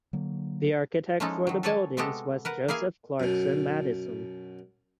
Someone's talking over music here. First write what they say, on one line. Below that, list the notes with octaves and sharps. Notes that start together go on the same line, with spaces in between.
The architect for the buildings was Joseph Clarkson Maddison.
D3 F#3 A#3
F3 G#3 C#4 D#4 E4 A4
D#3 F#3
A4 B4 C#5 D5 G#5 A5
C3 G#3 B3 F#4 G4 A4
A#4 B4 F#5
A#3 E4 G#4 F5 G#5
F#2 B2